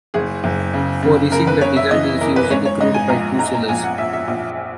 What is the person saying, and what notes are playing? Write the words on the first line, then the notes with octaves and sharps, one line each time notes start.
For racing the design is usually crewed by two sailors.
F#1 G#4
F#1
C#3
C#3
C#3 A#4
B4
C#3 C#5
E5
E3 D#5
E2 A#4
B4
G#2 C#5
C#5
G#2 D#5
G#5
A#1 A#5
G#2 A#5
A#5
A#1 G#5
F#5
A#1 E5
E5
A#1